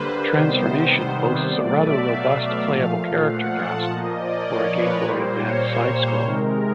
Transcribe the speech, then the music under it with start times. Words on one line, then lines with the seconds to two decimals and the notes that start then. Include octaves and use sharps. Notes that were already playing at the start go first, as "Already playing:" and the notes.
Transformation boasts a rather robust playable character cast for a Game Boy Advance side-scroller.
Already playing: D3 G3 A#3 B4 C5
0.32 C3 D#3 G3 B3 C5
1.50 B2 F#3 A3 D5
1.80 E5
2.10 F5
2.68 A#2 F3 A3
3.28 F#5
3.57 A5
3.86 A#2 F3 A#3 D#5
4.16 D5
4.46 C#5
4.75 B4
5.05 A#2 G3 A#3 C5
5.34 C#5
5.64 C#5
5.93 C5
6.22 C3 D#3 G#3 A#4